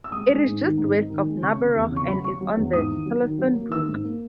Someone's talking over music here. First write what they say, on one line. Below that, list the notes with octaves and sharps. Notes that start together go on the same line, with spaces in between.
It is just west of Narborough, and is on the Thurlaston Brook.
E6
G#3 D#6
G#3
G#2
D#3
G#2
D#4
D#3
G#3
C#3 C#6
C#3
E2
C#3 C#6
F#3 B5
F#3 C#6
F#3
E2
G#2 D#6
D#3
F#3
D#3
F#3
A#3
D#3 E6
G#2
A#3